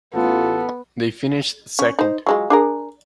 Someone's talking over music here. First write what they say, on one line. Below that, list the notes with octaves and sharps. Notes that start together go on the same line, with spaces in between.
They finished second.
A1 B3 F4 A4
C#4
D#4 C5
F#3 G#3 F4
D4 G#4 A#4